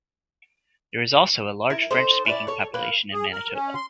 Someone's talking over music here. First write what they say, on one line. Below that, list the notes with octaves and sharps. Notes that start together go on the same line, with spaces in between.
There is also a large French-speaking population in Manitoba.
E4 A#4
D#4 A4 C5
C#4 E4 B4 D5
A4 C#5
A#3 B4
G#4
A#4
C#4
C6